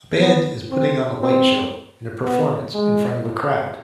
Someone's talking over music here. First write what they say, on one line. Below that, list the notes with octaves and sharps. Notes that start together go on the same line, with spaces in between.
A band is putting on a light show and a performance in front of a crowd.
B3
C4
C4
B3
G#3